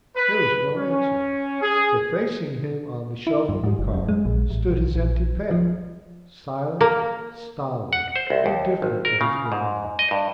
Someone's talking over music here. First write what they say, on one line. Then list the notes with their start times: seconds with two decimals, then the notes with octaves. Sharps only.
There was no answer; but facing him on the shelf of the car stood his empty pail, silent, stolid, indifferent to his bravado.
0.17 B4
0.76 C#4
1.62 G#4
3.27 E4
3.49 G2
3.64 G#2
3.79 F#1
3.94 F#2
4.09 G#3
4.25 A#1
4.50 A1
4.71 B1
4.95 A#1
5.51 F3
6.81 A#3
7.93 F#5
8.16 C5
8.30 C2
8.46 D#2
8.82 G#1
9.05 A#4
9.21 C#3
9.52 G#2
9.99 D#5
10.11 G2